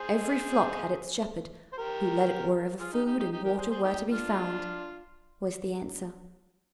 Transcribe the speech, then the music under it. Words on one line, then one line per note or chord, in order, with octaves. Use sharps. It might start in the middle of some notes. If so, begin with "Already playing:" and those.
"Every flock had its shepherd, who led it wherever food and water were to be found," was the answer.
Already playing: G#4 C5
C5
G4 A#4
F4 G#4
D#4 G4
D#4 G4
D#4 G4
D#4 G4
G4 A#4
G#4 C5
G#4 C5
D#4 G4
D4 F4